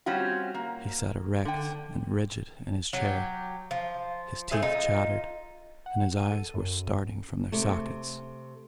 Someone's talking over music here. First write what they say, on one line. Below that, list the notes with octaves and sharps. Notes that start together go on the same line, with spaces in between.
He sat erect and rigid in his chair--his teeth chattered, and his eyes were starting from their sockets.
G3 C4 C#4 F4 F#4
A#3
D3 G5
F#3 G4
F3
A3 C4 G#4 E5
D#4 F4
F#5
D#7
A4
F#2
C3 A3